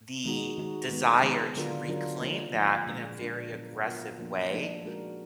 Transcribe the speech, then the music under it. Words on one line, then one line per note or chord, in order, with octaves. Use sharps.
the desire to reclaim that in a very aggressive way.
D#3 G#3 D#4 F#4
D#3 G#3 D#4 F#4
D#3 G#3 B3
D#3 G#3 B3
D3 F#3 D4 F4 A#4
D3 F#3 D4 F4 A#4
F3 A#3 F4
F3 A#3 F4
A#2 G#3 D4
A#2 G#3 D4
F#3 B3 F4 A#4
F#3 B3 F4 A#4
F3 A#3 D4
F3 A#3 D4
G#3 D#4 F#4 A#4